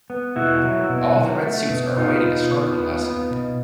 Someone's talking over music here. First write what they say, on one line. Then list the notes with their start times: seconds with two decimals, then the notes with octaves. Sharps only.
All the red suits are awaiting a snorkeling lesson.
0.10 B3
0.36 B2 E4 F#4
0.64 F#3
0.89 B2
1.16 F#3
1.43 A3
1.70 B2
1.96 B3 D#4 F4
2.23 B2
2.51 B3
2.76 B3
3.03 B3
3.30 B2